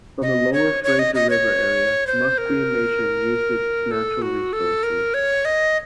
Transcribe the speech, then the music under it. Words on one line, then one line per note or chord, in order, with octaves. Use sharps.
From the lower Fraser River area, Musqueam Nation used its natural resources.
D#5
C#5
C#5
D#5
D#5
C#5
C5
A#4
A4
F#4
A4
A#4
C#5
D#5